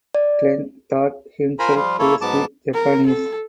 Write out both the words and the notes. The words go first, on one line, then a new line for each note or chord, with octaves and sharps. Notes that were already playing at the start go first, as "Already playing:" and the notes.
Glen taught himself to speak Japanese.
D5
F4 A#4 C5 G#5 A#5 B5
F3 G3 F4
A#3 E4 A4 C#5
G#2 F#3 B3 A5 D6
A#4
A4